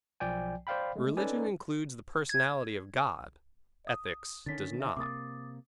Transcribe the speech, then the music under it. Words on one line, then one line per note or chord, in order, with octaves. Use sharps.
Religion includes the personality of God; Ethics does not.
B1 F3 D5 G5 G#5
C5 D5 F5 G5 B5
G#3 A3
C#4 D#4 A4 B4 D5 G#5
G#6
D#6
D3 D#3 C#4 A6 B6
E5
C3 A#3 D6 D#6 A6